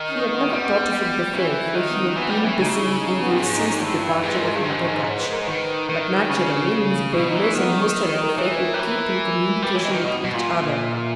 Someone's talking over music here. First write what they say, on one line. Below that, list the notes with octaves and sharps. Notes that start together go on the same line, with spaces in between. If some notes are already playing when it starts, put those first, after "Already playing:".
He had never thought of it before, for he had been busily engaged since the departure of Mother Gutch; but, naturally, Miss Baylis and Mr. Elphick would keep in communication with each other.
Already playing: D#3
C#4
B3
G3 B3
E3 C#4
G4
E4
D#3
B3
C#4
E3 B3
G3 B3
E3 C#4
C#3 D#4
E4
E4
D#4
B3
G2
G#2 C#4
D#4
C#4
G4
G2 E4
G#2 B4
A#4
G2 G#4
G#2 G4
C#4
D#4
C#5
B4
A#4
B4
D#3
D#3
C#3
G#4
B2 E4
D#4
E3
C#4
D#3 B3
C#4
E4
A#4
E3 C#5
B4
A#4
G3
E3
G3 B4
C#5
E3
D#5
D#3 B4
B2 D#5
B2
A#2
E5
D#5
E5